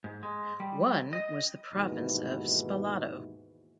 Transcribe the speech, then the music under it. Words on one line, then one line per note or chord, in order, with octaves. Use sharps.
One was the province of Spalato.
G#2
G#3
G3
D#5
D#2 G#2 B2 E3